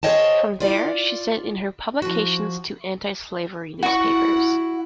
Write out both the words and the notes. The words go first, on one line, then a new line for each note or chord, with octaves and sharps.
From there, she sent in her publications to anti-slavery newspapers.
G#4 C5 C#5 D#5 G5 A5
F4 D5
F3 F#4
E4 F#4 F#5 C#6